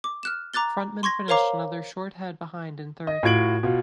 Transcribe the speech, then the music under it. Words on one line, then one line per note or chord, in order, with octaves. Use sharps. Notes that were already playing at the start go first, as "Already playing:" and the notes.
Frontman finished another short head behind in third.
D6
F6 F#6 E7
A#5 D6 F#6 A6 G7
C6 C#6 G#6 A#6
A#4 C5 C#5 F5 A#5 D6
D#5
A2 F4 F#4 G#6 D7 F#7
B2 F4